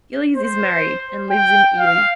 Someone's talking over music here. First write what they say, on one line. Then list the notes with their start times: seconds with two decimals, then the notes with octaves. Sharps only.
Gillies is married and lives in Ely.
0.36 C5
1.30 G5
1.78 F5